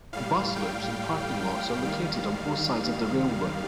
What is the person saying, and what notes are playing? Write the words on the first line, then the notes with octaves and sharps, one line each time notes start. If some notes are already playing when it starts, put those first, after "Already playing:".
Bus loops and parking lots are located on both sides of the rail line.
A2 G3 F5
G5
G5
D#2 D#3 G3 F5